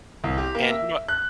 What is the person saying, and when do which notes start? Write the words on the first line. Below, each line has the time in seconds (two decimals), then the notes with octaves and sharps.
And, you know what?
0.24 C2
0.38 G4
0.55 A#3
0.70 E5
1.08 F#6